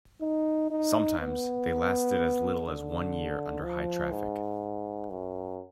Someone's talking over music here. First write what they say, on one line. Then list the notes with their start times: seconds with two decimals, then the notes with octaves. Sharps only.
Sometimes they lasted as little as one year under high traffic.
0.21 D#4
0.70 D#4
1.19 B3
2.66 D3
3.63 F3
4.11 G#2
5.10 F#2